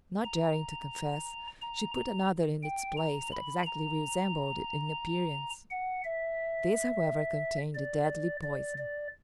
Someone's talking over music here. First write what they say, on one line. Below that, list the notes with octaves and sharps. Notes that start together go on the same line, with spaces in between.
Not daring to confess, she put another in its place that exactly resembled it in appearance. This, however, contained a deadly poison.
A#5
A#5
A#5
G5
A#5
B5
A#5
F#5
E5
D5
D5
D5